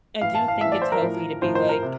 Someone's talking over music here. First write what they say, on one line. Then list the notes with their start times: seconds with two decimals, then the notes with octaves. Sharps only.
I do think it's healthy to be like,
0.21 A2 E3 F5
0.35 A5
0.48 F5
0.61 A2 E3 E5
0.72 D5
0.82 C5
0.92 A#4
1.02 A2 F3
1.42 A2 F3 C5
1.55 C5
1.69 A#4
1.83 C3